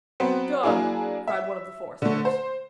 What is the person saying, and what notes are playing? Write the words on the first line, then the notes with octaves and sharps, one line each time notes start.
"Done!" cried one of the foresters.
F#3 B3 C4
F#3 A#3 D4 E4 G#4
E5
D3 A3
C5